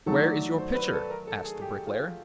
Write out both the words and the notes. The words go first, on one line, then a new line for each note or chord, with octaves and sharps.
'Where is your pitcher?' asked the bricklayer.
D#3 F#3 A3 A4
D5
C5
B4
A4
A#4
A4
G#4
G4
F4